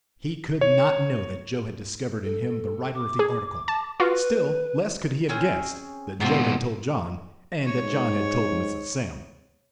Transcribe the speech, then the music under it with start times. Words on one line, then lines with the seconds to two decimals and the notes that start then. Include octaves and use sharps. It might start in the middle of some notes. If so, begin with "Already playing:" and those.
He could not know that Joe had discovered in him the writer of the article, still less could he have guessed that Joe had told John, and that John had told Mrs. Sam.
0.61 C#5
2.24 A4
2.94 D6
3.19 G#4
3.68 A5
4.00 F4 F#4 B4
5.29 C4 C#4 G#4
6.20 G#2 B2 B3 C4 F4
7.66 G#2 C#5